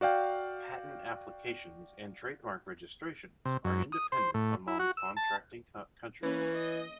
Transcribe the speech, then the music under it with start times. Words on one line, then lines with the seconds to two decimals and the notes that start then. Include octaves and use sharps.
Patent applications and trademark registrations are independent among contracting countries.
0.01 F#4 D5 F5 G5
3.45 C3
3.64 F#2
3.92 D#6
4.12 C5
4.34 A2
4.68 E4
4.79 F#4
4.97 E6
5.17 A5
6.23 E3 A#3 C#4 B4
6.55 D#5